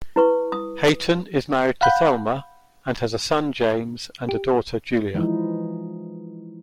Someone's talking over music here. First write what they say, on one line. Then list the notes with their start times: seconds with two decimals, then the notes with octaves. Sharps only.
Hayton is married to Thelma, and has a son, James, and a daughter, Julia.
0.16 E4 B4 C#6
0.52 D#6
1.81 F5 F#5 B5 F#6 G6
4.29 G4
5.15 E3 F3 G#3 D#4 E4